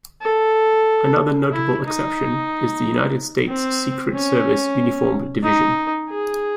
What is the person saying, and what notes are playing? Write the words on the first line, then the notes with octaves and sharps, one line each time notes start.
Another notable exception is the United States Secret Service Uniformed Division.
A4
E4
D#4
C4
C#4
D#4
G#4